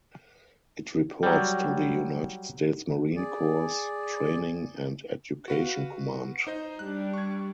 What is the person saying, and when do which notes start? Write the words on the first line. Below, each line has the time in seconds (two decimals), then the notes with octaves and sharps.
It reports to the United States Marine Corps Training And Education Command.
1.23 F#3 G3
3.16 G#4 D5
5.48 F#4 B4 F5
6.47 D#4 C5 D#5
6.79 G3 D4 F#6
7.13 C#6 G#6